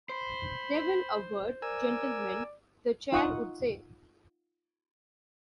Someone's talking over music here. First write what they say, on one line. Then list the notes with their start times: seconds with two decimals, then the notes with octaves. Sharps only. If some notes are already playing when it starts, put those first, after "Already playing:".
Devil a word, gentlemen, the chair would say.
0.09 C5 B5
1.62 A#4 D5 G#5 E6
3.12 D#4 F4 F#5 C#6 D#6